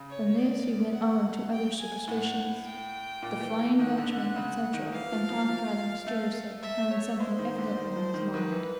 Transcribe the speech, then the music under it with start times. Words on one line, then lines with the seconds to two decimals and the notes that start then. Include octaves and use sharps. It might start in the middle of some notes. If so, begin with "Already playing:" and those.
From this he went on to other superstitions, the Flying Dutchman, etc., and talked rather mysteriously, having something evidently on his mind.
Already playing: C#3
0.09 C#5
0.38 D5
0.94 F#5
1.51 G5
1.79 G#5
2.08 A2 F#5
2.65 G5
3.22 A#2
3.41 E3
3.59 E3
3.79 D#3 F#5
3.98 D3
4.17 D3
4.36 C#3
4.74 D#3
4.92 E3 F5
5.12 F3
5.30 F3
5.49 F3
6.07 A3
6.63 E5
6.91 C#5
7.20 G#3 C5
7.39 D#3
7.58 D3
7.77 D#3
7.96 F3
8.14 D#3
8.33 D#3 B4
8.52 E3